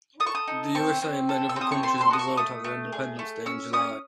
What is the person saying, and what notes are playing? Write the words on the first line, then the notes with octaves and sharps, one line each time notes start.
The USA and many other countries of the world have their independence day in July.
A4 D#6
C#6
D#6
D#4
C4 C#6
C4
A4
E6
C4 D#6
C#6
A4 C6
C6
F#4 D#6
C#6
A3 D#6
A3
G#4
A3
C#4 E6
C#4 D#6